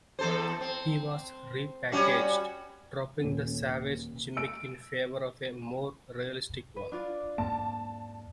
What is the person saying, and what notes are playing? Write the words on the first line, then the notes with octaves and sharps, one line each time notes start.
He was repackaged, dropping the savage gimmick in favour of a more realistic one.
E2 A4 C5
C4
G3 C#4 F#4
D#1 C#4
E6 D7
B4
D4 F4 D5
E2 G#2 A#3 A5